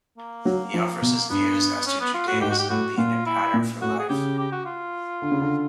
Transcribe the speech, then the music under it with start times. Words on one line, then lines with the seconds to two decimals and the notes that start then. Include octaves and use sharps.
He offers his views as to Judaism being a pattern for life.
0.17 A#3
0.45 F#3
0.74 F3
1.02 B2
1.29 G2 B3
1.86 C#4
2.00 B3
2.14 F4
2.27 A2 F#4
2.41 G#2 G4
2.50 F#4
2.59 G4
2.70 A2 F#4
2.97 A#2 F4
3.26 E4
3.54 A#2
3.82 A2 F#4
3.99 G#4
4.09 C#3 G4
4.39 G4
4.52 F#4
4.65 F4
5.22 D3
5.31 C#3
5.41 D3